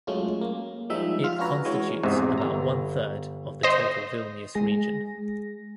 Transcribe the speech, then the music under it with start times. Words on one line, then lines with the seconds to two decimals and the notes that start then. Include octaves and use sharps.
It constitutes about one third of the total Vilnius Region.
0.07 F#3 G#3 A3 C#4 F4
0.41 A#3
0.90 F3 G3 G#3 D#4 E5
1.24 F4 F6
1.39 C#4 D4 F#4 B4 C#5 A#5
1.65 E3 G#3 F#4 C#5
2.03 E2 G#2 C3
2.38 G1 A#5
3.63 C5 D#5
4.55 G#3 G#4 A#6